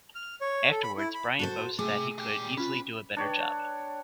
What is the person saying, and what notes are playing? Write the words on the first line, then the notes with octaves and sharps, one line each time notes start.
Afterwards, Brian boasts that he could easily do a better job.
F6
C#5
A4
B5
E4
B5
F#4 A4 C5 A5
C3 A3 G#4
A#2 G4
C#4 F4 B4
D4 C#5 G5